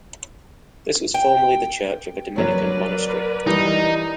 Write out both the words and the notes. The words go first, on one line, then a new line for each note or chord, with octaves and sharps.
This was formerly the church of a Dominican monastery.
G5
F#3 A#4 B4 C#5 D5
E3 G3 D#4